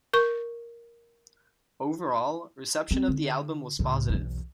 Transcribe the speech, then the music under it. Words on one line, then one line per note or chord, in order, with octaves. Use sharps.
Overall, reception of the album was positive.
A#4 C#6
C4
D3
C#2 A2
B1 E2